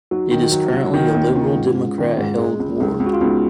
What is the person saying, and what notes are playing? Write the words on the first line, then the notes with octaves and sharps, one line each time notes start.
It is currently a Liberal Democrat held ward.
F#3 D#4 F#4
D#3
F#3
F#3
D#3
D#2
D#3 C#4 F4
G#2
G#2
D#3
G#2
G#3
C#2
C#2
C#2
F#4
F4
C#2 B3 D#4